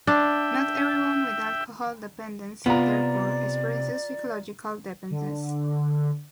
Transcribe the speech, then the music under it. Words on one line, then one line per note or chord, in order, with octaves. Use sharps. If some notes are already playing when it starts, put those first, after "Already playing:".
Not everyone with alcohol dependence, therefore, experiences physiological dependence.
D4 E5 G5
C3 B3 F4 D5 A#5
D3